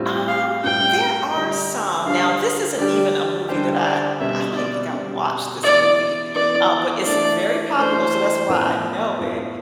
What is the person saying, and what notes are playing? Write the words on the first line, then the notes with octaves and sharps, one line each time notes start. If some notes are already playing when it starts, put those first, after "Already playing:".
Um, there are some. Now this isn't even a movie that, uh I don't even think I watched this movie, uh, but it's a very popular, so that's why I know it,
Already playing: A2 G3 C4 F4
F5
A2 G3 C4 F4 G5
D3 G3 D4 F4
D3 G3 D4 F4 F5
D3 G3 D4 G4 D5
D3 G3 D4 G4 C5
D5
B2 G3 C4 E5
D5
B2 G3 C4
E3 B3 E4 D5
E3 B3 E4 D5
E3 A3 D4 D5
E3 A3 D4 C5
A2 F3 B3 F4
A2 F3 B3 F4